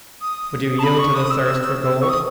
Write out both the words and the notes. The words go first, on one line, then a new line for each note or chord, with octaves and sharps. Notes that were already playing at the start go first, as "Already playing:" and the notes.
Would you yield to the thirst for gold?
D#6
A5
B5
C#6
D#6
E6
C#6
D#6